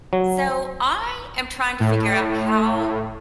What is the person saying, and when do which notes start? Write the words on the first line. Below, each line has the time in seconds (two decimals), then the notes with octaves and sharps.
So, I am trying to figure out how
0.13 F#3
1.80 A2